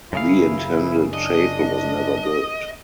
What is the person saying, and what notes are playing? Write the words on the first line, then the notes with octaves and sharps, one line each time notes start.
The intended chapel was never built.
F#2 C#3 E4 F5
D4 D#5